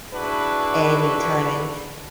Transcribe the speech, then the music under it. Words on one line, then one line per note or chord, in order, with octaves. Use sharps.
anytime in
D4 E4 F#4 G#4 B4